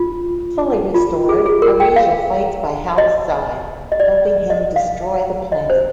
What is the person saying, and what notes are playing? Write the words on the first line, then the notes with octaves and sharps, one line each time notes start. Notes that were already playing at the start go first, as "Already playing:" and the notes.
Fully restored, Arisia fights by Hal's side, helping him destroy the planet.
Already playing: F4
F4
G#4
G#4
A#4
G5
F5
D#5
D#5
D5
D5
D#5
F5
D#5
C5